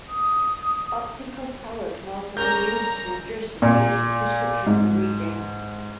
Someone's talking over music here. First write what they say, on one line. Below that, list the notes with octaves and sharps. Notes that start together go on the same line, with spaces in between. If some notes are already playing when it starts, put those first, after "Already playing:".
Optical power can also be used to adjust a basic prescription for reading.
D#6
G3 C#4 A#4 A#5 G6
A#2
G#2